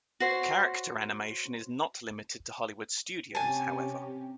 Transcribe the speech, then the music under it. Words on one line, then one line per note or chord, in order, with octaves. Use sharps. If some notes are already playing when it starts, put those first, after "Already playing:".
Character animation is not limited to Hollywood studios, however.
F#4 C5 C#5
C3 C#4 G4 G#5 A5